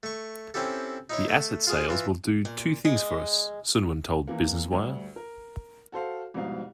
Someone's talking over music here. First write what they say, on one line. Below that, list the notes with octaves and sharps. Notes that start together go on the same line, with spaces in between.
'The assets sales will do two things for us,' Suwyn told Business Wire.
A3 C#6
C4 C#4 E4 G4 A4
D#4 E4 C#5
A3
F4 G#4 F5
E3 F4 E5
A#2
G#3
E2 E3 A#3
D2 G2
A#4
F#4 A4 C5 F5
C2 F2 G#2 B2 F5